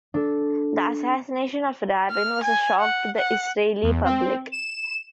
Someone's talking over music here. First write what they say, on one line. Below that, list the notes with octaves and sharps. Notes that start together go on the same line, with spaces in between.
The assassination of Rabin was a shock to the Israeli public.
D4 A4
F6
G#5
F#5
F#5
E2
C4
E7